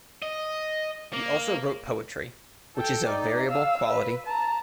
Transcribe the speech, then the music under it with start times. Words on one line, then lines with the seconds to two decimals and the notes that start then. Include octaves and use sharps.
He also wrote poetry, which is of variable quality.
0.22 D#5
1.13 A#3
2.76 A4 G5
3.07 D#4 D5
3.49 F5 E6
3.90 B4
4.27 A5 A#5